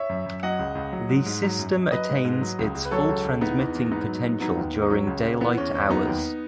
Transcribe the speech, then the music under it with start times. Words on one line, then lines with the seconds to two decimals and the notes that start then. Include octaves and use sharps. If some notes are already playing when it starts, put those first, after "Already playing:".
The system attains its full transmitting potential during daylight hours.
Already playing: C#5 E5
0.09 F#2
0.26 F#2
0.43 F#3 D#5 F#5
0.59 C#2
0.75 C#2
0.93 F#3
1.09 G#2
1.26 G#2
1.42 F#3
1.59 F#2
1.76 F#2
1.91 F#3 B4 D#5
2.09 G#2
2.25 G#2
2.41 F#3
2.59 C#2
2.75 C#2
2.85 B4
2.91 F#3 A4 C#5
3.09 C#2
3.25 C#2
3.41 E3 B3 D#4
3.58 E2
3.75 E2
3.91 G#2 B3 D#4
4.08 F#3
4.25 G#2
4.41 F#3 B3 D#4
4.57 D#2
4.74 D#2
4.82 D#4
4.90 F#3 C#4
5.07 C#2
5.24 C#2
5.40 E3 B3
5.57 E2 C#4
5.74 E2 C#4
5.90 F#3 B3 D#4
6.07 D#2